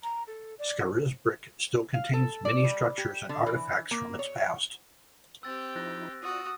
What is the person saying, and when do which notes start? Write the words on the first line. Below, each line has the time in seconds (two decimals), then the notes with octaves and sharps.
Scarisbrick still contains many structures and artefacts from its past.
0.03 A#5
0.27 A4
0.59 D5
1.94 F5
2.13 A4
2.45 D5
2.64 G3
2.98 G4
3.29 D3
3.46 E3
3.91 A#3
4.19 C#5
5.43 C4 G4 E6 F#6 A6
5.75 F3 D#4 E4 F#6 A6 A#6
6.23 F4 F#4 D5 D#6